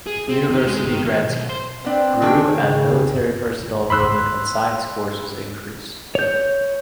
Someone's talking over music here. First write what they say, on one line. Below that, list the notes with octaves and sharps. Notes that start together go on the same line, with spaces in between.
University grants grew and military personnel enrollment in science courses increased.
G#4
C4
D#3
G#3
D#3
D#3
B1
C5
B3 C4 D4
D#3 D4 G#4 G5
C#3
B5 C6 E6 F#6
C#5 G6